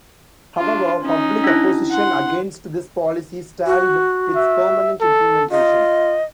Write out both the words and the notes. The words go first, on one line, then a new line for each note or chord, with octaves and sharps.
However, public opposition against this policy stalled its permanent implementation.
D4 F4
C#4 D#4
D4 E4
F#5 C6
F#4
E5
A4
F4 D#5